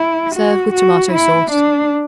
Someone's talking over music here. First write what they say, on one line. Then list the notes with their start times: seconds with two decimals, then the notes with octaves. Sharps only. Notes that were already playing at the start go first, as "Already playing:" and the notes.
Serve with tomato-sauce.
Already playing: E4
0.35 F#4
0.73 F#4
1.12 E4
1.51 D4